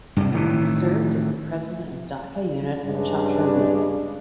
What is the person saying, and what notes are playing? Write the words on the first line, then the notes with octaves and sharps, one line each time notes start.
He served as the president of Dhaka unit of Chatra league.
C2 G2
A2 D#3 E3
G2 C#3 G#3 D4